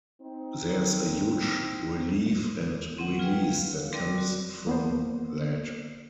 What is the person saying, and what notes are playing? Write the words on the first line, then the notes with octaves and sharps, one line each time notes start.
There's a huge relief and release that comes from that.
C4 D#4
C4 C#4 F#5
F4 G#4 B4 G5
F5
C#5
G3 C4 A#4 D5 C6 D6
F#4
A#3 B3 C5